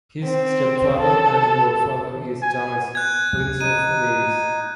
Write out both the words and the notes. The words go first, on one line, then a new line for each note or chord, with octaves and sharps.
His stepfather and godfather is Charles, Prince of Wales.
C4
A4
G#5
G#5 F#6 G#6
D#4 D#7